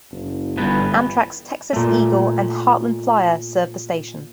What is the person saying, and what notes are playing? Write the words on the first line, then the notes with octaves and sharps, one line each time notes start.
Amtrak's "Texas Eagle" and "Heartland Flyer" serve the station.
F#1
G1 G2 E3 B3
A#2 A3